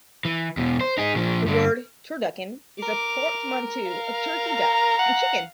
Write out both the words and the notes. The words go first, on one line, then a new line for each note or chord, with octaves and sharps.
The word "turducken" is a portmanteau of "turkey", "duck", and "chicken".
E3
E2 B2
C5
D#4 G#4
A#2 F3
G2 D3
A#4 D6 F7
F5
A#5
F#5